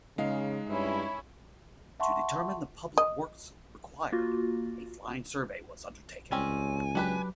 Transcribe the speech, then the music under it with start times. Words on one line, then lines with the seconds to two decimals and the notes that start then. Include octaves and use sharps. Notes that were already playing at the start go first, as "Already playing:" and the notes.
To determine the public works required, a flying survey was undertaken.
0.18 C#3 G#3 D#4 F5
0.69 G2 C#4 E4
2.00 E5 F#5 A5 C6 C#6
2.98 D#5
4.12 A#3 F4 F#4
6.32 C#2 G3 C4 C#4 G#5
6.95 F#3 D4 G4 B4